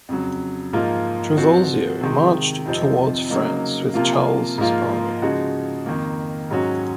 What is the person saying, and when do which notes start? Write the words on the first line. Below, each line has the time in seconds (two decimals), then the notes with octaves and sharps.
Trivulzio marched toward France with Charles' army.
0.09 F2 C#3 F#3
0.73 G#2 F3 A#3 F4
1.37 F3 C4 F#4
2.01 C3 D#3 G#3
2.66 F2 C3 F3 C4 D#4
3.30 C#3 F#3 A#3 D#4
3.94 C3 F3 A#3 F4
4.58 G#2 F3 A#3 F4
5.22 C#3 F3 G#3 D#4 F#4
5.86 F2 D#3 A#3
6.51 G#2 F#3 C#4 F#4